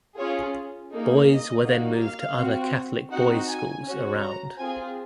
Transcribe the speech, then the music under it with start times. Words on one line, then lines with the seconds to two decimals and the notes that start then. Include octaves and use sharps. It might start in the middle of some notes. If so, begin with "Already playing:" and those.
Boys were then moved to other catholic boys’ schools around.
0.16 C#4 F4 G#4 C#5
0.90 A#3 D#4 G#4
1.26 D#5
1.63 A#3 D#4 F#4
2.00 F5
2.37 C4 F#4
3.10 C4 D#4 F#4 F#5
3.48 G#5
3.84 C#4 F#4
4.21 A#5
4.57 C4 F4 G#4 G#5